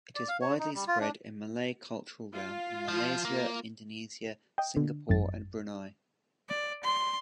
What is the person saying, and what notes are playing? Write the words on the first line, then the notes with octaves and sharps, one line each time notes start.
It is widely spread in Malay cultural realm in Malaysia, Indonesia, Singapore and Brunei.
D5
F5
C#5
D#4
G3
F4
D4
F4
F3
A#3
D#5 G5
D3
G#1 F#2 A6
D5
C6